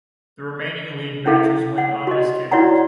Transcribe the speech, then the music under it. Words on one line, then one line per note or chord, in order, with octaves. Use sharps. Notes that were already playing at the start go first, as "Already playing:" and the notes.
The remaining league matches went on as scheduled.
C#4 E4 A4 F5
F#5
F#4 D#5
E4 F#4 C#5 D5 F#5 A#5